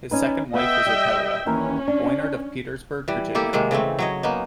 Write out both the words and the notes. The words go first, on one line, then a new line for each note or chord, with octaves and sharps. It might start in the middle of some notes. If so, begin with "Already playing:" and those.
His second wife was Otelia Voinard of Petersburg, Virginia.
C#4 D#4 B4
B3 B4 D#5 E5 G5
G3
D#2 E3 C#4 A#4
D4
E3 G3
A#3 E4 G4 A4
C3 D#3 G#3 A#3
C#3 E3 A3 C4
F#3 C#5 D#5
A#3 B3 C#4 D#4